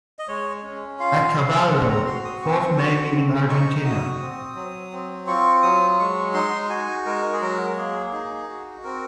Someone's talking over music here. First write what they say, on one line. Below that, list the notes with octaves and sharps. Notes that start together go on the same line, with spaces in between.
Accavallo fought mainly in Argentina.
D#5
G#3 C#5
C#4
F4 F5
G#3
C4 F#5
A#5
F#4 C6
D#6
C4 C#6
F#4 C#6
C4
D#4 C#6
F#4 D#6
C4 D#6
F#3
C4
F4 C#6
F#3 D#6
G#3 C#6
D#4 C6
F#4 G#5
G#3 A#4
G#4
F#3 A#4
A#3 G#4
D#4 G#4
F#4
C4 A#4